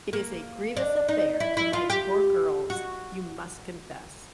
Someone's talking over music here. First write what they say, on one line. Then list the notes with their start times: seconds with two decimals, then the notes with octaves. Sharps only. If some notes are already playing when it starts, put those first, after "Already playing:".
It is a grievous affair to my poor girls, you must confess.
0.13 A#3
0.77 D4
1.09 D#4
1.40 E4
1.57 E4
1.73 F4
1.90 G4
2.70 F#4